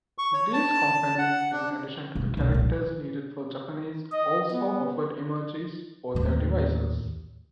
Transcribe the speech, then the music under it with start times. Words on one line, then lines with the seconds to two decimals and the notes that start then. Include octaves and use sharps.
These companies, in addition to the characters needed for Japanese, also offered emojis for their devices.
0.18 C#6
0.34 C#5
0.53 A5
1.19 F#5
1.52 D4
2.15 E1
2.37 B1 D#3
2.52 A#2 F3
4.12 D#5
4.51 B3
6.15 D#2 A2